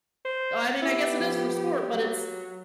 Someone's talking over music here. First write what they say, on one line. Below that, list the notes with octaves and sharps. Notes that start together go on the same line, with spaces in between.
I mean, I guess it is for sport, but it's
C5
B3 E4 G4
F3
F#3